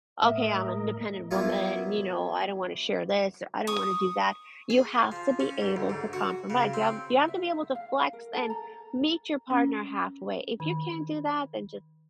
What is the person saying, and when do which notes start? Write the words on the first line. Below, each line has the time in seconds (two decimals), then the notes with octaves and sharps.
"Okay. I'm an independent woman, and, you know, I don't wanna share this, or I don't wanna do that," you have to be able to compromise, you have you have to be able to flex, and meet your partner halfway. If you can't do that, then, just
0.22 A2 A#4 D#5 E5
1.31 F#3 A#3 B3 E4 F4
3.67 C#6 D#6
4.70 G#4
5.12 F3
5.40 C#4
5.61 G#2
5.76 D2
5.90 G#2
6.13 F#4
6.50 C#3
6.74 C4
7.28 E5
7.43 E5
7.75 F5
8.13 A#4
8.33 A4
8.50 A#5
9.50 C#4
10.60 D#3